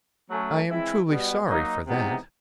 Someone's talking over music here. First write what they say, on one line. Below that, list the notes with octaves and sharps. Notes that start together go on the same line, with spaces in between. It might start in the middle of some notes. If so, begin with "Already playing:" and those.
"I am truly sorry for that."
F#3 A3 C#4
E3 G#3 C4 E4
B2 G3 B3
F#3 A#3 D#4
C3 E3 G#3 B3 D#4